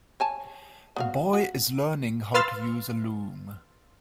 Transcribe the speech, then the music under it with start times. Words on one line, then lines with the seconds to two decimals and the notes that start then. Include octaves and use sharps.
A boy is learning how to use a loom.
0.20 C#5 G#5 A5
0.96 B3 F#4 F5
1.33 F#4
2.34 B4 F5 C6 E6 F6 A6